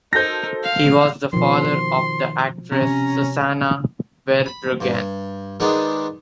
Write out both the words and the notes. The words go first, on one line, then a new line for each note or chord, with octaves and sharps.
He was the father of the actress Susanna Verbruggen.
D#4 F#4 A4 A#4 C5 G6 A#6
F5
B2 D#3 F3 C6
C3 C#4 A#5
B5
G2
D#3 G#3 B3 D4 D#4